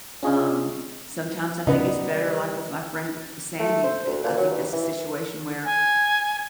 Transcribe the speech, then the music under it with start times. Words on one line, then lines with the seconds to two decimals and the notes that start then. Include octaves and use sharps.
Um, sometimes I think it's better, like, with my friend Sandy, eh, I think that's a situation where
0.23 C#4 D4 F4 G#4 C#5 D#5
1.67 C#3 G3 B3 D#4 D5
3.60 A3
3.84 C5
4.06 D2
4.23 A#2
4.37 F#3
4.51 G2
4.73 E3
5.65 G#5